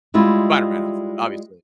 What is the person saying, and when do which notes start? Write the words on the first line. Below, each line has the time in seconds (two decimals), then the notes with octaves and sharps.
Spider-Man outfit, obviously.
0.14 G3 G#3 E4 F4